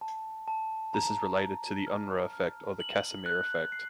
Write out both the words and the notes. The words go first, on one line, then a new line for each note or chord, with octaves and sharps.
This is related to the Unruh effect or the Casimir effect.
A5
A5
A#5
A#5
F6
F6
F#7
F#6
C7